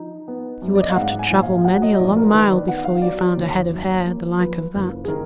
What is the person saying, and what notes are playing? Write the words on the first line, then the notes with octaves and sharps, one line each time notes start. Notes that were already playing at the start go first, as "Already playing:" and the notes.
You would have to travel many a long mile before you found a head of hair the like of that.
Already playing: F3 D#4
B3
F#2
D5
D#5
F5
G#2 F#5
G#5
A#1
F5
F#3 F#5
D#5
A#1 D5
A#4
D#3 B4
D5
B3 F#5
F5
F#3 D5
D#2
F#2
A#3
F3 B4
F#1
G#4
D#3 A#4